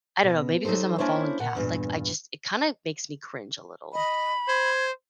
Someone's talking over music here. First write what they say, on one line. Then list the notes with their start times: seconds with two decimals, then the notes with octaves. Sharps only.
I don't know, maybe 'cause I'm a fallen Catholic, I just it kinda makes me cringe a little.
0.23 B2
0.65 F#3 D#4 G4 A4 C5
0.98 A#3 C#4 D4 E4 C5 C#5
1.39 A#2 F#5
1.55 E2 G2 A#2
3.93 D#5 B5
4.48 C5 G#6